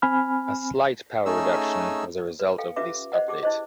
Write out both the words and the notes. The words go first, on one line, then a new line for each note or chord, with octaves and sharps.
A slight power reduction was a result of this update.
C4 G#5 B5 F6
A3 C#4 D#4 G#4 E6
B4
A4 F5 G5
C#4 F4 G4 B4 E5 D6
C5 D#5 F#5
G4 G#4 D6
E4 C5 D#5